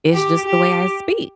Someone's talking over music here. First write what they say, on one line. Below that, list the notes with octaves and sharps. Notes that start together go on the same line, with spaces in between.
"It's just the way I speak,"
G4
G4